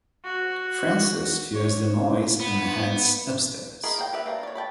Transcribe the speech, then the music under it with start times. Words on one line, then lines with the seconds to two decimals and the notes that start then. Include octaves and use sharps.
Francis hears the noise and heads upstairs.
0.25 F#4
1.55 C#5
2.40 B3
3.83 G#4 A#4 D#5 B5
3.98 A#3 G5
4.13 G4 B4 E5
4.26 A#3 D4
4.43 C#5 D5
4.55 G5 A5 B5